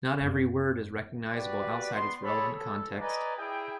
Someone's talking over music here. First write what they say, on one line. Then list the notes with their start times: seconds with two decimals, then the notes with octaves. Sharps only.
Not every word is recognizable outside its relevant context.
0.21 F#2 B3
1.33 F#4 G4 B4 D5
1.93 B3 C6
2.22 G#4 A4 C#5 D5 B5
2.53 A4
2.98 B4 D5 D#5 G#5 A#5
3.37 E4 G#4 G5